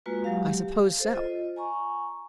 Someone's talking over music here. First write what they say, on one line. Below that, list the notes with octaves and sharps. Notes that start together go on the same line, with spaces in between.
"I suppose so."
G#3 A#3 F4 F#4 B4
F#3 G#3 G4 F5
G4
A4 C5
F4 D#5
G#5 A#5 C#6